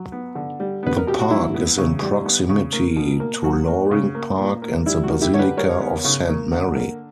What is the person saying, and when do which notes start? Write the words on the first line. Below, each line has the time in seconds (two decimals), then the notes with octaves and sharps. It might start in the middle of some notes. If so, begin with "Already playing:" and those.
The park is in proximity to Loring Park and the Basilica of Saint Mary.
Already playing: F#3
0.12 B3
0.35 D3
0.60 G3
0.83 B3 B4
0.98 A#4
1.07 B2 G4
1.19 F#4
1.31 F#3 E4
1.54 B3
1.78 C#3
2.02 G3
2.26 B3
2.49 C#3
2.73 A#3
2.96 B2
3.20 A#3
3.43 F#3 F#4
3.67 A#3
3.91 C#3
4.15 A#3
4.39 A#2
4.62 A#3
4.86 G3 E4
5.04 F#4
5.10 A#3
5.21 E4 G4
5.34 D3 C#5
5.39 G4 B4
5.57 G3 A#4 C#5
5.81 B3
6.04 C#3
6.28 A#3
6.52 D3
6.76 A#3